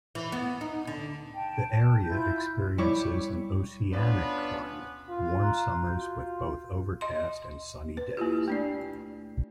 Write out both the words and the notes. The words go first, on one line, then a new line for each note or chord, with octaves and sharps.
The area experiences an oceanic climate, warm summers with both overcast and sunny days.
E3
B3
D#4
D3
G5 A5
E4 F4 G6
G3 E4 C#5 C#6 D6
B3 C#4 D4 F4 B4
F4
A#5 C6 F#6
F4 F#4 G6
D#5 C6
B4
A#3 E4 F4 G4
A3 D4 D5